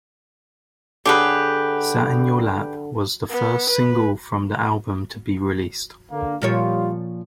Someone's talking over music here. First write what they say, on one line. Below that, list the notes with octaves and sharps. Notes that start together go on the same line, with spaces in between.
"Sat in Your Lap" was the first single from the album to be released.
D3 G4 G#4 B4
B3
B4
D3 A#3
A#2 F3 G3 F4 C#5